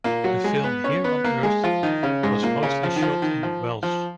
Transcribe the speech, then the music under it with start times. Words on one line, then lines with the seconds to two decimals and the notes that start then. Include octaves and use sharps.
The film "Here on Earth" was mostly shot in Welch.
0.04 A#2 A#3
0.24 F#3 F#4
0.44 G#3 G#4
0.64 B3 B4
0.84 C#4 C#5
1.04 B3 B4
1.24 A#3 A#4
1.43 G#3 G#4
1.64 F3 F4
1.83 D#3 D#4
2.03 C#3 C#4
2.23 G#2 G#3
2.43 A#2 A#3
2.63 C#3 C#4
2.83 F3
2.96 D#3
3.03 F3
3.22 D#3
3.43 F3
3.83 F3